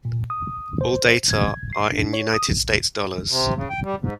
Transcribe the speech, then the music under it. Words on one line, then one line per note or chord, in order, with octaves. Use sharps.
All data are in United States dollars.
A#2
D#6
C5
G#6
C7
D4
C#5
D#6
A#1
C3
C#3
G5
G3
G#2